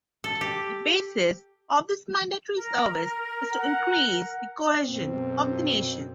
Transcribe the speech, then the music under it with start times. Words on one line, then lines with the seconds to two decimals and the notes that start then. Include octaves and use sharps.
The basis of this mandatory service is to "increase the cohesion of the nation".
0.24 A4
0.41 G4
2.56 A#4
3.52 F#5
4.85 F#2 B2 C4